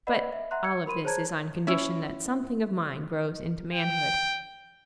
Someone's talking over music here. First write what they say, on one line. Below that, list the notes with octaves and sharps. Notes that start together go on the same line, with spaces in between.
But all of this is on condition that something of mine grows into manhood.
B4 D5 D#5 F#5 B5
E5
E5 F#5 A#5 C6 F#6
G#6 C#7
A#4 B5 C6 D#7
G#4 C5 C#5 A5 A#5 G#6
C#4 E4
G5